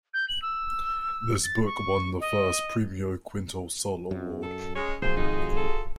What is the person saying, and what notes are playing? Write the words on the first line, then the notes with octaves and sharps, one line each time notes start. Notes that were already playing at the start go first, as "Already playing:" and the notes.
This book won the first Premio Quinto Sol award.
G6
F#7
E6
A6
C#6
D#5
F#2
A4
G#3 C#4 C#5
E1 A#1 F#3 F4 G#4 C5
G#1 F2 D#4
A4